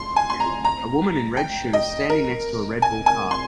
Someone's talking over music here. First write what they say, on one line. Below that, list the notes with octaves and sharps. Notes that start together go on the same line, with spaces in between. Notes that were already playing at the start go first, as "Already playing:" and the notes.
A woman in red shoes standing next to a Red Bull car.
Already playing: C6
G#5
C6
A#5
A#5
G5
D#5
A#4
G#5
G#5
C6